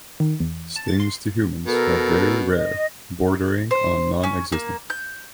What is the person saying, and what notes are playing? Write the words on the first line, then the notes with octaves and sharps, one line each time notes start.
Stings to humans are very rare, bordering on non-existent.
D#3
E2
A5
A6
C6
B2 A4 A#4
D#5
C5
C#4
A#3
G6